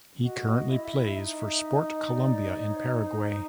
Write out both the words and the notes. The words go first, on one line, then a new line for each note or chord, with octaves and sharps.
He currently plays for Sport Colombia in Paraguay.
F#4 D#5
D#5
E4
E5
D#5
D#4 E5
D#5
D#5
D5
D5
C#5
C5
C#5
C5